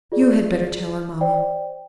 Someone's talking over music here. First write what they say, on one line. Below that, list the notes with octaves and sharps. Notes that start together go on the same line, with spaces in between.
"You had better tell her, mamma."
F4 G#4 D5
C5 D5 G5